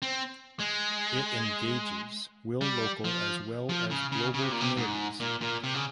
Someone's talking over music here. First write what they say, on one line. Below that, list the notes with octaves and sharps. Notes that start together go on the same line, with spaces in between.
It engages will local as well as global communities.
C4
G#3
G3
F3
F3
C#3
C#3
C#3
C3
A#2
C3
G#2
A#2
A#2
C3
C#3